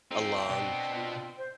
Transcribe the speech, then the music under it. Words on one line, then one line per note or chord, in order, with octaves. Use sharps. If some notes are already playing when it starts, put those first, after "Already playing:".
a lung,
F2 C4 D#4 F5
B2 D4 G5
F4
C5